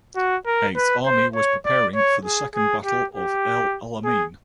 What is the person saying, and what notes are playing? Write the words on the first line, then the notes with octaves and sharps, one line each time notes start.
Eighth Army was preparing for the Second Battle of El Alamein.
F#4
A#4
B4
C5
C#5
D5
C#5
G#4
G#4
G4
G4
G#4